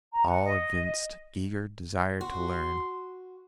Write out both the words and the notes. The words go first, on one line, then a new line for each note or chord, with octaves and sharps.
All evinced eager desire to learn.
A#5
F#5
D#5
F#4 C6